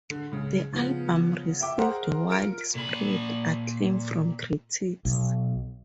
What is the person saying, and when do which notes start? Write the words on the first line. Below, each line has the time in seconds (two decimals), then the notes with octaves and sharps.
The album received widespread acclaim from critics.
0.10 D3
0.32 C#2 C#3
0.72 C#3 F3 B3
1.61 E5 G5 D6
1.78 G#4 A#4 C5 F#5 A#5
2.28 F4 A#4 D7
2.75 A#2 B5
5.05 B1